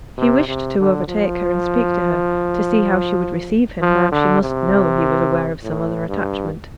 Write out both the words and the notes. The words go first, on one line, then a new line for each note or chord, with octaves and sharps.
He wished to overtake her, and speak to her, to see how she would receive him, now she must know he was aware of some other attachment.
C3
C3
D3
F3
F3
D3
C3
A2
G2